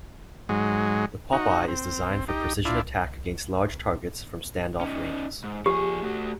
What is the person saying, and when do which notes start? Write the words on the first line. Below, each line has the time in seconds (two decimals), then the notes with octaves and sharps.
The Popeye is designed for precision attack against large targets from stand off ranges.
0.49 G#2 F#3 G#3
1.33 D#4 F#4
1.68 C4
2.28 D#4 G4
2.65 D4 E4 F4
4.81 C#4 D#4
5.44 G#2
5.66 F3 G4 G#4
6.03 A3 F#4